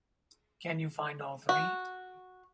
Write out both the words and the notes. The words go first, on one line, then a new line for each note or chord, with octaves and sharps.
Can you find all three?
F#4